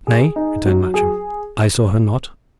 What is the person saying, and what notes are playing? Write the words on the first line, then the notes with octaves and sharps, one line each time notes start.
"Nay," returned Matcham, "I saw her not."
G#4
D#4
F#3
G#4